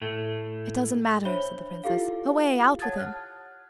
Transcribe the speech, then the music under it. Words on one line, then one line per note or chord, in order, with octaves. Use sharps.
'It doesn't matter!' said the Princess. 'Away! out with him!'
A2 A3
D4 C5 C#5 E5 B5 G7
E4 F4 G4 A4 F5
C#5 F#5 A5 D#6 G#6 A6
F6 F#6